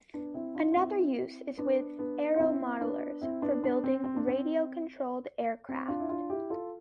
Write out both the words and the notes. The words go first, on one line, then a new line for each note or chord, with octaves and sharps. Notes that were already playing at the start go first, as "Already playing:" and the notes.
Another use is with aero-modellers for building radio-controlled aircraft.
B3 D4
C4 E4
D4 F4
F4
C4 E4
B3 D4
B3 D4
F4
C4 E4
B3 D4
C4 E4
B3 D4
B3 D4
C4
C4
D4
C4
C4
D4 F4
E4
D4 F4
E4 G4
F4 A4